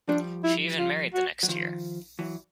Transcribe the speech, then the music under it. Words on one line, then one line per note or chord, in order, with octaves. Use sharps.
She even married the next year.
F3 G3 D4
E4
F4
F#4
F#3
D#3 F3
E3 F#3